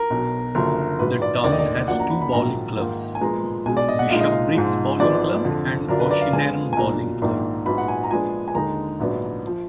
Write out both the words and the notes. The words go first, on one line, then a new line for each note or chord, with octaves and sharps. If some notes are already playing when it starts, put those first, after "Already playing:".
The town has two bowling clubs; Bishopbriggs Bowling Club and Auchinairn Bowling Club.
Already playing: A#4
B1 B2 F#3
F#1 F#2 D3 F3 A#4
A#1 G#2 F#3 B4
D5
F1 D#2 D3 D5
D#5
D5
F#2 F3 A#3 D4 F#5
A#5
B5
B5
A#1 G#2 D#3 F#3 A#5
G#2 D#3 A#3 F4
G#5
A#2 F3 G#3 B3 A#5
B1 B2 G#3 G#5
D5
D#5
F#5
A#1 A#2 G#3 D#4 F5
D#5
F5
G#2 F3 G#3
G#1 G#2 F3 B3 D5
F2 D3 F3
F#2 D3 F#3 D4 F4 A#4
B4
D5
F5
F2 D3 G#3 B3 F4 G#5
G#5
B1 A#2 F#3 A#3 D4 A#5
A#1 G#2 D#3 A#3 D4
A#1 G#2 F#3 B3 B5
F#5
G#5
A#5
A#2 F3 G#3 B3 D4 G#5
G#5
D#2 D3 G#3 D#4 A#5
A#1 G#2 F#3 B3 D4
F3